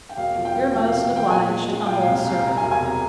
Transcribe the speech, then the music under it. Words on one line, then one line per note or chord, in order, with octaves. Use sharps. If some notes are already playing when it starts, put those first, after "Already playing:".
'Your most obliged humble servant.'
G5
E1 F5
F3
G5
E1
F3 G5
F5
C3
F5
E2 G5
A#2 G#5
G#3
G#3
A#2 G5
F5
C2
F5
C2
F5
C3 A#5
E1 G#5
G#5
C3
A#5